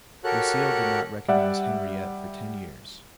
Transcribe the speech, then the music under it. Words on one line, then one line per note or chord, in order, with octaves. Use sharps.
Lucile did not recognize Henriette for ten years.
F#4 G4 A4 A#4 C#5 F#6
G3 D5 E5 F#5